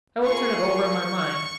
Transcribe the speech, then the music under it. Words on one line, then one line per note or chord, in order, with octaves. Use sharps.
I will turn it over in my mind.
A#3 F4 G#4 C#6